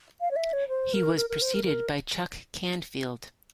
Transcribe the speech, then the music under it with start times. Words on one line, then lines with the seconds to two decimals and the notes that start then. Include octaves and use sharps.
He was preceded by Chuck Canfield.
0.21 F5
0.31 C#5
0.36 E5
0.53 C#5
0.69 C5
0.93 A#4
1.17 A#4
1.30 A#4
1.42 C5
1.54 A#4
1.65 A#4